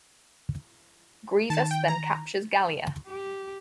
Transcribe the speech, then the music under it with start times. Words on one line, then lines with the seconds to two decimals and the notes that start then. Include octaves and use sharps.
Grievous then captures Gallia.
1.50 D#3 A5
1.71 G5
1.88 A#5
3.07 G4